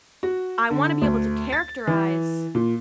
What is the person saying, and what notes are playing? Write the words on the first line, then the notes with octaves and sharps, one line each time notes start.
I wanna be able to characterize
F#4
D3
D2
A6
E3
A#2